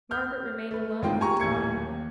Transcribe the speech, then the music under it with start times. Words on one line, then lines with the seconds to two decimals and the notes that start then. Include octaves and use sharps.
Margaret remained alone in the drawing-room.
0.11 F6 G6
0.71 A3 B4
1.02 A1 G#2 G#3 C4 F4 G5
1.20 G4 G#5 A#5 C#6
1.40 D#1 A1 G#6 C#7
1.77 D#2